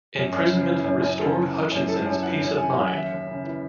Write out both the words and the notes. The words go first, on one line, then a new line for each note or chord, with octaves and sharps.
Imprisonment restored Hutchinson's peace of mind.
F#2
F#2
C#3
E3
F#2
F#2
C#3 A4
E3
E3
F#2
E3 A4
F#2
E3 F#5
F#2
E3 G#5
F#2
F#5
D#2 E5
D#2
C#3
E3